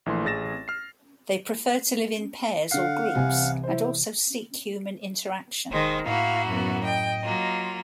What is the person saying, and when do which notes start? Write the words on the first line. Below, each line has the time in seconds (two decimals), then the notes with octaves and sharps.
They prefer to live in pairs or groups and also seek human interaction.
0.06 A#1 E3 A3 C6
0.25 A1 G#4 A6 A#6 E7
0.68 F6 C7
2.71 D3 F5 F#5 C7
3.15 C2 C3 E3 G#5
3.63 E4 C5
5.70 E1 D#3 G#3 C5
6.07 A2 A#3 E4 F#4 F5
6.47 F#2 B3
6.85 D#5 G5
7.23 F#3 A#3 F4